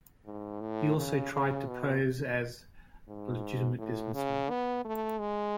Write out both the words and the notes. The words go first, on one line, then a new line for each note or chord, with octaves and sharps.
He also tried to pose as a legitimate businessman.
G#2
A2
C#3
C#3
B2
G#2
A2
C#3
B3
A3
G#3